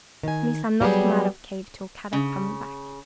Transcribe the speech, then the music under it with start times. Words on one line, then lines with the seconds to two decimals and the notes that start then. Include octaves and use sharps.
Missa not come out of cave till Kadok come back.
0.23 D#3 G#5
0.81 F#3 G3 B3 G4 G#4
2.13 C#3